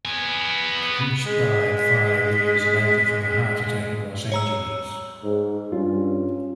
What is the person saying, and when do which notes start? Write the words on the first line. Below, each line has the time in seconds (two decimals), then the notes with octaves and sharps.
Caprice died five years later from a heart attack in Los Angeles.
0.05 B3 G#5
1.26 G#3 B6
4.32 C#5 A#5 E6
5.24 G#2
5.72 G2 C#4 F4